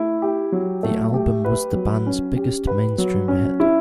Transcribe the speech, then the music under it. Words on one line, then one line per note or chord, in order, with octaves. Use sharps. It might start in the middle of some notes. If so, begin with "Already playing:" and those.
The album was the band's biggest mainstream hit.
Already playing: A3 E4
G4
F#3
A3
G4
B4
F#3
C#4
G4
B4
F#3
C#4
E4